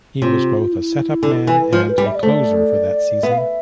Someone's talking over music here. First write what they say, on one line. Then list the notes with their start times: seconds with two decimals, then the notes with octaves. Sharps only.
He was both a setup man and a closer that season.
0.22 C3 F4
0.73 E4
1.23 D3
1.47 E3
1.72 F3 F4
1.89 B4
1.98 G3
2.06 E5
2.15 D5
2.23 A3 C5
2.31 D5
3.23 B3 E5
3.30 F5
3.38 E5